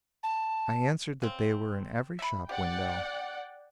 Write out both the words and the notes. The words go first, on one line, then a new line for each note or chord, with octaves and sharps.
I answered that they were in every shop window.
A5
C#3 C4
E5 B5
G4 D5 F#5 G5